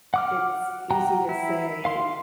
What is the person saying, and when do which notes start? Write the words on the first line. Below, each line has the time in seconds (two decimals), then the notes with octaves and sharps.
it's easy to say,
0.14 F#5 D6 F6
0.91 F#5 G5 A#5
1.29 E4
1.85 F5 C6